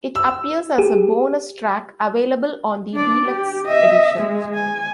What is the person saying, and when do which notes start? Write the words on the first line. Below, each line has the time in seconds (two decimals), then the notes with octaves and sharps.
It appears as a bonus track available on the deluxe edition.
0.16 E6
0.78 G4 G#4
2.93 D4 D5
3.26 G4
3.65 D#5 E5
4.17 G#3
4.54 G#5